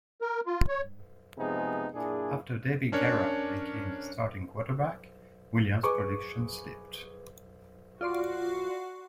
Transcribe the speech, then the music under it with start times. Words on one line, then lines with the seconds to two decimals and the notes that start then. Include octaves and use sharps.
After David Garrard became the starting quarterback, Williams' production slipped.
0.21 A#4
0.46 F4
0.68 C#5
1.38 C3 F3 G#3 B3 D#4 G#4
1.93 A#2 D4 E4 G#4
2.92 C#4 D4 A#4 C#5
5.83 G#4 B4 C#6 D6
8.01 F4 F#4 D5 C6